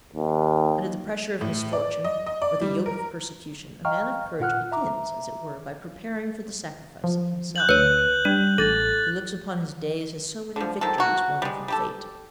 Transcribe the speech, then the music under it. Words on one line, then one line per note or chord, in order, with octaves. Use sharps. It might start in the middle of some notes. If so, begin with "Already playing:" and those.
Under the pressure of misfortune or the yoke of persecution a man of courage begins, as it were, by preparing for the sacrifice of himself: he looks upon his days as so many victories won from fate.
D#2
A2
D5
D#5
D#5
D5
G3
A#4
D#5 F5 G5 A#5 C#6 F6
A#2 F4 F#5 F6 F#6
E5 A#5 D6
F3
F#6 G6 F#7
D2 B4 C#5
G3 D4
A1 A4 A6 F#7
D3 F3
D#3 F3 A4
A#3 F#4
G3 G#3
G3 G4 A4